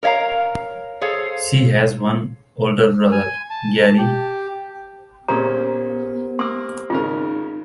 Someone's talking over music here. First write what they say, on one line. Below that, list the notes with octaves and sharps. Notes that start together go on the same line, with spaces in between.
She has one older brother, Gary.
A#4 C#5 E5 F5 A#5
G#4 A4 C5 C#5 F5
G#5
A5
G4
A#2 B3 C#4 G4 G#4 A#4 C5 A#5
A#3 C6 E6
G#1 C#3 D#4 F4 A#4